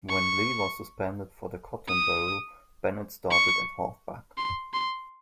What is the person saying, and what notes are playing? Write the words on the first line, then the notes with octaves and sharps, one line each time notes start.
When Lee was suspended for the Cotton Bowl, Bennett started at halfback.
C#6
D#6
C#6
C6
C6